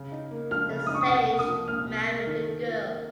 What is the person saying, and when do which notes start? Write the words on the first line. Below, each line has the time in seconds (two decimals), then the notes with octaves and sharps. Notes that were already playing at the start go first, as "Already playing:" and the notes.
The sage married the girl.
Already playing: C#3
0.12 D#4
0.31 A#3
0.51 F3 F6
0.70 C#3
0.80 F6
0.87 D#4 D#6
0.95 C#6
1.01 D#6
1.09 C2 F#5
1.29 A#3
1.39 D#6
1.48 F3
1.68 A#2 F6
1.87 C2
2.06 A#3
2.27 D#3
2.46 A4
2.66 F4
2.85 A#3